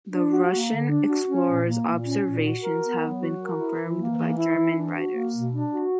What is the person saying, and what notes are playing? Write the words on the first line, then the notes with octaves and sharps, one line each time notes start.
The Russian explorer's observations have been confirmed by German writers.
D4
F#4
A#3
D3
D4
F#4
C#4
A#2
A#3
A#2
C#4
A#2
F#4
A#4
B3
F#3
F#4
A#4
E4
E3
A#3
E3
E4
E3
D4
F#4
A#3
B2
D4
F#4